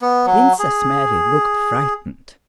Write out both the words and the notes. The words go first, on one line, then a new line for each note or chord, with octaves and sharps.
Princess Mary looked frightened.
B3
F#3
G#4